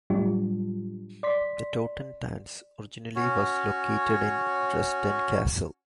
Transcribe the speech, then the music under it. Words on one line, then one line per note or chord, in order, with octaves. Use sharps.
The Totentanz originally was located in Dresden Castle.
A2 F#3 G3 D4 F4 G4
D5 C6 B6
C#4 F#4 C#5